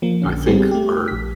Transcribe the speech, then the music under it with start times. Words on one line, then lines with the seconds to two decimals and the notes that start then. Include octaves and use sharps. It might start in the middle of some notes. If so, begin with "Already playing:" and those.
I think are
0.02 F3 A#3
0.22 A#1 D3 C#4
0.46 G3 B3 C4 G4 G#4
0.71 A3 G4
1.08 A#1 B6